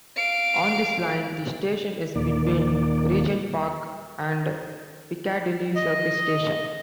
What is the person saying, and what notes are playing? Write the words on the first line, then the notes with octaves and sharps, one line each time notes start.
On this line, the station is between Regent's Park and Piccadilly Circus stations.
F5 D7
D#2 A#2 D#3 A#3 D5
D#5